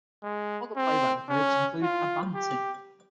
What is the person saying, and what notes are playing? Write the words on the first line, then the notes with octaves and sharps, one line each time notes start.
Other playwrighting credits include Avanti!
G#3
C4
C#4
F4
G4